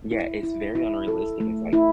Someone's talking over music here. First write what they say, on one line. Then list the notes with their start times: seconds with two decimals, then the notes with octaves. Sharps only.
Yeah, it's very unrealistic. It's, like,
0.11 E4
0.43 E4
0.75 E4
1.08 A4
1.40 A3
1.73 E4